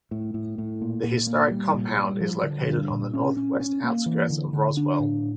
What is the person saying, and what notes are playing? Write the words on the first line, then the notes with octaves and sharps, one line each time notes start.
The historic compound is located on the northwest outskirts of Roswell.
A2
A2
A2
A#2
A#2
A#3
G3
A#2
G3
F3
D3
G2
A#2
C#4
C#4
C#4
A#3
E3
D3
D3
D4
A2